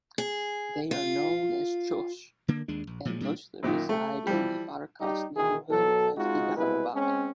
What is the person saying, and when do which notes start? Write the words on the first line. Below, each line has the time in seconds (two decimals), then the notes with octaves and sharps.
They are known as Chaush and mostly reside in the Barkas neighbourhood of Hyderabad.
0.18 G#4
0.91 F4
2.48 D3 A#3
2.68 D#2 G#3 D4
2.87 A#1
3.05 A#2 F3 F#3 G#3
3.21 A#2 G3 D4
3.63 F#2 A#2 D#3
3.89 A3
4.27 E3 F3 G3
5.00 G3 D#4 G4
5.36 B2 D#3 E3 G#4
5.70 B2 F#3 A4
6.17 G#3 C4 D#4 F4 F#4
6.57 C2 B2 G#3 E4 B4
6.94 G#3 C4 C#4